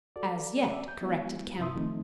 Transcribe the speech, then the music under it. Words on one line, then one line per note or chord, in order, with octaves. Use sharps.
"As yet," corrected Kemp.
F#4 A4 D5
D5 E5
G6
F#3 G#3 B3 E4 F#4
G2 C3 E4 E5 C6 D#6
D#3 F3 F#3 A3 C4 D#4